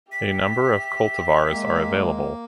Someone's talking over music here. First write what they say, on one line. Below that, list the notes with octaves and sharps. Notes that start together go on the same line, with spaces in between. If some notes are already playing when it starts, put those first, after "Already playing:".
A number of cultivars are available.
G4 E5 B6
G#3 A#3